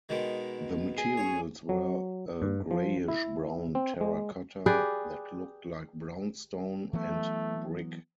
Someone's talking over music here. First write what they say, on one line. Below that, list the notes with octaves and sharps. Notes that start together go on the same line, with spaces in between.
The materials were a grayish-brown terra cotta that looked like brownstone, and brick.
B2 D#3 G#3
G#4
C#5
F#3
G2
F3
E4
C4
G#3
G4 G#4 B4 D5
E3 F#3 A3 B3